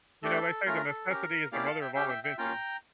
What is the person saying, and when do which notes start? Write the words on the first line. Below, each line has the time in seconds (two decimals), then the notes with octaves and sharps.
You know, they say that necessity is the mother of all invention.
0.23 A3 D4 G4 A4
0.66 A3 C#4 F4 A#4
0.88 A4
1.09 C#4 G4 A#4
1.52 A#3 C#4 E4 G4 D5 F5
1.66 F5 A5
1.81 E5 G5
1.95 C#4 G4 E5 G5
2.09 E5 G5
2.24 E5 G5
2.38 A#3 C#4 F4 G5 A#5